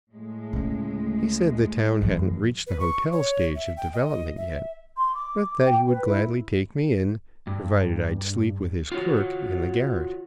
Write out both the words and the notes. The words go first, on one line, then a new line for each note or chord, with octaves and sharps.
He said the town hadn't reached the hotel stage of development yet, but that he would gladly take me in, provided I'd sleep with his clerk in the garret.
A2 G#3
D2 C#3
F#2 E3
B4
C#6
C#5
E5
G5
D#5
E5
C6
D6
G5
B4
E4
G2
F4 F#4 C#5